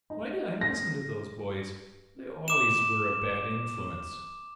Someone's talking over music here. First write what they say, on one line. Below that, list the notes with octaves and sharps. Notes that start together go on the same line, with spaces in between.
Why did I listen to those boys? They always were a bad influence!
D#4
A#6
D6 E7